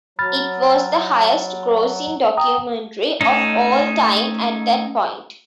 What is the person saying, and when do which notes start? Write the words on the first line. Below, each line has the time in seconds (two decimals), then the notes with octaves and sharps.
It was the highest-grossing documentary of all time at that point.
0.19 F#3 B5 F6 A6
2.37 G5 A#5 D#6
3.21 A3 C#4 D#4